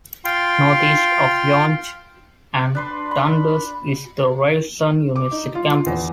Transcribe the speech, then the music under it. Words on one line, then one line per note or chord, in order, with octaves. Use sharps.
Northeast of Yonge and Dundas is the Ryerson University campus.
F4 F5 G5 C6
D4 B4 C6
B5
D6
D#4
F4
E2